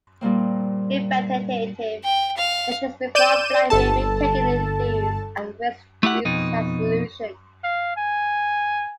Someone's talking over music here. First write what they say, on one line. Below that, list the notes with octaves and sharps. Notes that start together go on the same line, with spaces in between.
Preventative measures before flying may be taken in these at-risk groups as a solution.
A#2 G3 A#3 C4
G5
F5
D5 G6 D#7 E7
G1 A4 A5
A3 E4 G4 F#5
F2 B2 D#4
F5
G#5